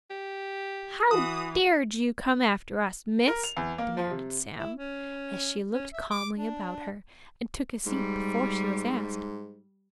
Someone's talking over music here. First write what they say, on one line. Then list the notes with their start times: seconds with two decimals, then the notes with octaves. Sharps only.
"How dared you come after us, miss?" demanded Sam, as she looked calmly about her, and took a seat before she was asked.
0.10 G4
1.11 E3 F#4 D#6
3.28 A#4
3.44 F7
3.57 E2
3.78 A#3
3.97 F3
4.10 C3
4.58 E4
4.77 C#4
5.74 C#4
5.93 E5
6.11 D6
6.37 D4
7.86 G#2 G3